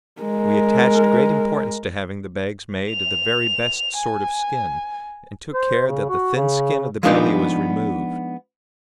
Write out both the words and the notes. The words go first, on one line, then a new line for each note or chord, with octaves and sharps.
We attached great importance to having the bags made of the very best sort of skin, and took care that the thin skin of the belly was removed.
G#3 A#4
F7
G#5
C5
C#3
F#4
C#3
F3 G#3 B3 D4 D#4 G4